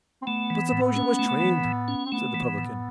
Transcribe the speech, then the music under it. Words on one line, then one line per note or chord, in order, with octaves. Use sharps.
"But suppose you was trained?" said the publican.
C4
A3 B3
E3
A2
C#4
A3
E3
A2
C#4
C4
A3 B3
E3
A2